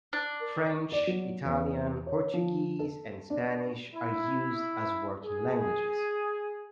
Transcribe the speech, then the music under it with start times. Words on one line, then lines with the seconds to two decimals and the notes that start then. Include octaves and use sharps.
French, Italian, Portuguese, and Spanish are used as working languages.
0.13 D4
0.40 A#4
0.92 D5
1.07 F#3
1.45 E2
2.06 C#5
2.34 F3
2.79 A4
3.30 D4
3.95 E4
5.24 G#4